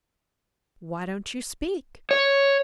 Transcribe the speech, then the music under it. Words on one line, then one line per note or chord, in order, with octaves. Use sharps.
Why don't you speak?
C#5